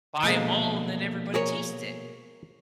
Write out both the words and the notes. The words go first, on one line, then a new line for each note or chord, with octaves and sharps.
buy 'em all and then everybody taste it.
B1 A#2 D3 F3 G#3 A#3 D#5
G#4 A#4 C#5